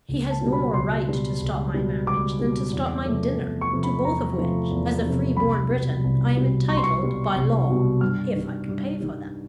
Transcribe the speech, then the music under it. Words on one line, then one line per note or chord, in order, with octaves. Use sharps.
He has no more right to stop my marriage than to stop my dinner, to both of which, as a free-born Briton, I am entitled by law, if I can pay for them.
C#2
A5
B2 G3
B5
C#2 C6
B2 G3
C#2
B2 G3
C#2 D6
B2 G3
E2
C3 F3 A3
E2
C#6
C3 F3 A3
B5
E2 A#5
C3 F3 A3
E2
C3 F3 A3
C2 B5
B2 G3
C2
B2 G3
C2 C#6
C6
C#6
B2 G3
C2
B2 G3
G2 F6
D#3 G3
G2
D#3 G3